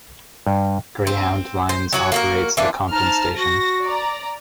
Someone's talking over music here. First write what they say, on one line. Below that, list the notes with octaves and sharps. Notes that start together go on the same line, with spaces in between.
Greyhound Lines operates the Compton Station.
G2
C4
C5
F#3 F#4 C#5
A#3 F#4 A#4
E3 A#3 C4 D4
D#4 C5 A5 F6
F#4 A#6
D5 A#5